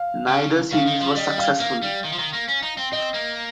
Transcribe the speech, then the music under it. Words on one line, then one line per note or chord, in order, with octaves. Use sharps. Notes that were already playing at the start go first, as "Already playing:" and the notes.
Neither series was successful.
Already playing: F5
C#3
C#3 F5
D#3
F3
G3 D#5
F5
A#3 F5
G3
D#3
F3
D#3
A#3
C#4
D#4
C4
C4 D#5
A#3